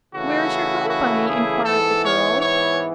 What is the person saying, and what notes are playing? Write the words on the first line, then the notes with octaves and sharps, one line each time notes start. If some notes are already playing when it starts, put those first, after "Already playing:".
"Where is your home, bunny?" enquired the girl.
C#3 E3 A3 E4 F#4
F#4
G#4
G#2 E3 B3 E4 A4
C#5
C#5